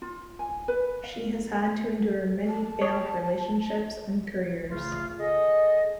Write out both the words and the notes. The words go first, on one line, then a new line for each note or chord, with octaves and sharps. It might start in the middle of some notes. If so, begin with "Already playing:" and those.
She has had to endure many failed relationships and careers.
F4
G#5
B4
F5
A5
C#5
C#3 A3 F4
G#4 A4 D#5